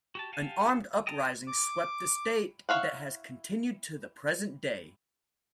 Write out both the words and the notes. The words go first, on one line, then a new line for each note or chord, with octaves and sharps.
An armed uprising swept the state that has continued to the present-day.
F#4 G4 A5
G4 F5 F#5 G#5 A5
D#5 G5 A5 A#5
D6
E4 C#5 F5 F#5